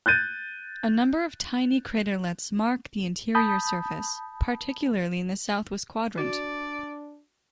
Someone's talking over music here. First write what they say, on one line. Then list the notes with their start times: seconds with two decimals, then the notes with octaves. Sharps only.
A number of tiny craterlets mark the interior surface, particularly in the southwest quadrant.
0.06 F#6 G6 A6 D#7
3.35 A5 B5 D#6 G6
6.18 D4 F#4 D5